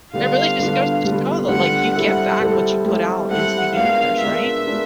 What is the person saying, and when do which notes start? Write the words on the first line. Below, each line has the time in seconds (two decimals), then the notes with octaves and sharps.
it really just goes to show that, like, you get back what you put out into the universe, right?
0.13 D3 G3 B3 D4 F4 F5
0.59 D3 G3 B3 D4 F4
1.04 D3 G3 B3 D4 F4
1.49 D3 G3 B3 D4 F4 F#5
1.94 G3 C4 E4 A4 F#5
2.40 G3 C4 E4 A4
2.85 G3 C4 E4 A4
3.30 G3 C4 E4 A4 F#5
3.75 G#3 B3 D4 F4 A#4 F5
4.20 G#3 B3 D4 F4 A#4 E5
4.66 G#3 B3 D4 F4 A#4